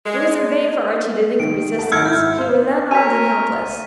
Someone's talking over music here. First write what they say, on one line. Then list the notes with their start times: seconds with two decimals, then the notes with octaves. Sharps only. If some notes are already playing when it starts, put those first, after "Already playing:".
It was in vain for Archie to think of resistance, he was unarmed and helpless.
0.05 G#3
1.40 D#3 D7
1.79 F#5 A5
1.92 G#1 E6 F6 G#6 C#7
2.05 E4 F6 G6
2.38 C5 F5
2.91 F#4 A4 A#4 C#5 G#5 B6 D#7